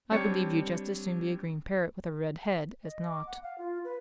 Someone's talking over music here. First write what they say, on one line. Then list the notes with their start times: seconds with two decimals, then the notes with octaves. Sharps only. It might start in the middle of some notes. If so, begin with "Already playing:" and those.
"I believe you'd just as soon be a green parrot with a red head as not."
0.11 G3 C4 D4 C#5 A5 C#7
2.84 D#5
3.09 D6
3.27 F#5
3.43 F5
3.58 F4
3.85 B4